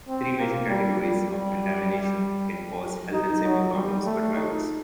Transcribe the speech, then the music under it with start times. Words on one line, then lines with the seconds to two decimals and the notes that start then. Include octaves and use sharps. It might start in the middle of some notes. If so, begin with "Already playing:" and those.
Three major categories of contamination can cause health and safety problems for divers.
0.08 C4
0.39 A#3
0.69 G3
1.00 G3
1.30 G3
1.91 G3
3.13 D#4
3.44 F#3
3.74 G3
4.05 A3
4.35 D#4